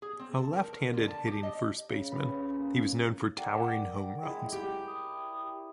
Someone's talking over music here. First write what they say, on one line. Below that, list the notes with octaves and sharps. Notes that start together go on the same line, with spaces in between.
A left-handed hitting first baseman, he was known for towering home runs.
G#4
C4
A5
A#4
A#4
D3
A5
G4
D#5
C#3
B4
C#4
A#3
A#4 D5 F#5 G5
G#3 E4
G4 G5
D#6